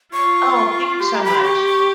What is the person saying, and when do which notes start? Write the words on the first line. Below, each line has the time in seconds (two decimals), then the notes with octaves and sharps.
Oh, thank you so much.
0.13 F4 C#6
1.00 G4 C6
1.15 A#5
1.25 B5
1.35 C6
1.44 C#6
1.66 C#6